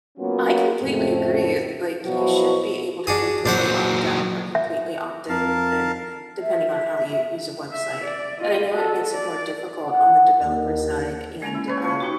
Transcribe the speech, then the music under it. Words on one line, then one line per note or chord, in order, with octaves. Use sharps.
I completely agree, like, you should be able to completely opt out or completely opt in, depending on how you use a website. And I know it makes it more difficult on the developer side and, um,
F#3 A#3 B3 C#4 F4 F#4
F2 A2 C#3 A3 C4
B2 F3 F#3 E4 F#4
D4 F#4 G#4
A#2 F#3 D4 C5 F#5
E5
F2 A#4 F5 A5
E5
E5
D5
F4 D#5
F#4 A4
D5
F#5
D#2
G#3 A#3 C#4 G#5
E4
B4 C#5
F3 B4 C#6
D#4 F#4 G4 C#6